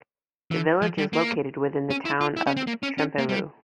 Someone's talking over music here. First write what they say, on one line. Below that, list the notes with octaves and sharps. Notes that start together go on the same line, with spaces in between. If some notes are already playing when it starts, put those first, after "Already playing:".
The village is located within the Town of Trempealeau.
E3
F3
G3
A#3
C#4
E4
F4
E4
C#4
C4
A#3
C#4
C#4
A#3
G3